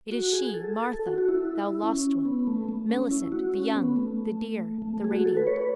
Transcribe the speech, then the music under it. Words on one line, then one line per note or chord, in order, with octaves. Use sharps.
It is she, Martha, thou lost one, Millicent, the young, the dear, the radiant.
F#4
G#4
A4
F#4
F#4
E4
C#4
B3
A3
A3
C#4
E4
F#4
C#4
B3
A3
A3
A3
G#4
F#4
A4
B4
C#5
B4